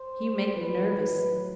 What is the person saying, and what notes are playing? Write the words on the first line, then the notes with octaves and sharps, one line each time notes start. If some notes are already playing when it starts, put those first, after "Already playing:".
"You make me nervous."
Already playing: C5
A2 F#3 B3 B4